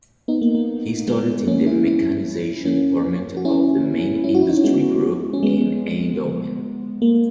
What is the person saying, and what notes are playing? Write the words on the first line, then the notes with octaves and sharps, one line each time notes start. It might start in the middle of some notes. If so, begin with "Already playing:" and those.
He started in the mechanization department of the Main Industry Group in Eindhoven.
B3 D#4
A#3
A#3
G#3 B3
A#3 C#4
C#4 E4
C#4 E4
A#3 C#4
F#4
C#4 E4
C#4 E4
F#4
E4
D#4
C#4
G#3 B3
C#4
G#3 B3
A#3